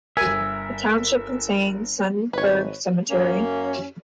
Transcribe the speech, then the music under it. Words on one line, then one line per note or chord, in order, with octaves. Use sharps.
The township contains Sundberg Cemetery.
G1 A#4 E5 G#5
G#1 B4 C#5
F#2 A#3 C#4